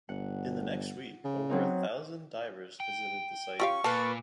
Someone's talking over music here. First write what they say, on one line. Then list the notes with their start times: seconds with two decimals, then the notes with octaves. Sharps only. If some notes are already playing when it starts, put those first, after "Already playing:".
In the next week, over a thousand divers visited the site.
0.09 G1 F#5
1.24 C#3
1.50 F#3 C4 D#4
2.80 G5
3.60 C#4 F4 G4 F5 C#6
3.84 A#2 A#3 A4 B4 A5